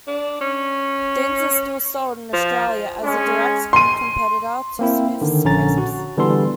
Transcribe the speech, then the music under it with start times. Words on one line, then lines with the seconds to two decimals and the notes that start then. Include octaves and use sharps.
Thins is still sold in Australia as a direct competitor to Smith's Crisps.
0.07 D4
0.40 C#4
2.33 F3
3.02 G#3 C#4 G#4
3.73 C6 D#7
4.79 A#3 C4 E4
5.21 D3 D#3
5.45 A#1 D3 C#4 A#5 A6
5.78 F#4
6.17 D3 E3 G3 B3 A4 C6